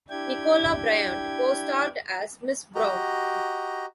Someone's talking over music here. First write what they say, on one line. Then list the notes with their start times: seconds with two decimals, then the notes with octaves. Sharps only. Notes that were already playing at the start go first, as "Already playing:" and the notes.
Nicola Bryant co-starred as "Miss Brown".
0.10 D4 E4 G4 G5 G#6
2.75 F#4 G4 D#5 A#5